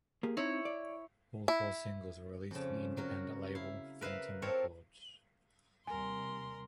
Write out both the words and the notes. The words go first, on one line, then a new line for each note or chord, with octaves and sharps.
All four singles were released on the independent label, Phantom Records.
A#3 G4 G#4
C4 D#4 E4 C#5
D5
E4
F2 C#3
F#3 F#4 A#4
E4 F5
A#4 B4 E5 F5
C4 F4 A4 A#4 C#5
D#2 C3 G3 A#4 G#5 C6